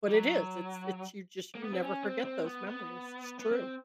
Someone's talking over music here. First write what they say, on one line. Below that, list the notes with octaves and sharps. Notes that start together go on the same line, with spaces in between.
but it is, it's it's you just you never forget those memories. It's true.
G3
F#3
A#3
B3
C4
C#4
C4
C4
B3
B3
B3
C4